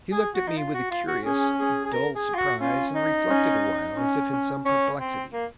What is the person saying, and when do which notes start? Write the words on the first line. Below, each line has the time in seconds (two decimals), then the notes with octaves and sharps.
He looked at me with a curious, dull surprise, and reflected awhile as if in some perplexity.
0.12 G#4
0.34 F#4
0.48 D#4
0.57 F4
0.74 F#4
0.90 F4
1.08 F#4
1.25 C#4 G#4
1.59 G#4
1.85 G#4
1.92 A#4
2.15 G#4
2.34 F4
2.38 F#4
2.61 C#4 F4
2.95 D#4
3.29 C#4
3.97 C#4
4.65 C#4
4.99 C4
5.33 A#3